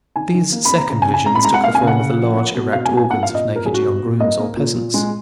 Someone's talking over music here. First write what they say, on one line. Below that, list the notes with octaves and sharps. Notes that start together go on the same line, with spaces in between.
These second visions took the form of the large, erect organs of naked young grooms or peasants.
D#3 G#5
D#3
A#3
B5
A#3
A#5
C#3 A#5
G#5
C#3
G#5
G#3 A#5
B5
G#3 A#5
F#5
A#3 F5
G#5
C#3
F#5
C#3
F3
A#3
B2
B2 F5
G#5
F#3
G#5
A#3 F#5
F5
A#2
D#5
A#2
A#4
F#3 G#4
F#4
B2
B2
A#3 D#5
A#3
A#2
A#2
G#3